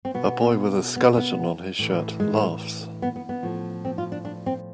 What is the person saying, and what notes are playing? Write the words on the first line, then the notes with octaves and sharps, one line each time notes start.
A boy with a skeleton on his shirt laughs.
C4
B2 B3
B3
B3
A2 E3
G#3
B3
B3
B3
A2 F3
C4
F4
D4
D4
C4